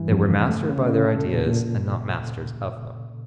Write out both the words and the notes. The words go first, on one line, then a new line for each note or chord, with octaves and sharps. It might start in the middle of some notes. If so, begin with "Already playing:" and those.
They were mastered by their ideas and not masters of them.
Already playing: G2 E3
F2
C#3
A3
C#3
C#3
A#2 A4
A#2
A#2